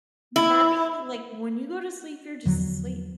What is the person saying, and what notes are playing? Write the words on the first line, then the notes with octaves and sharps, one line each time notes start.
Nothing? Like, when you go to sleep, you're just asleep.
E4
E2 D3 F3 F#3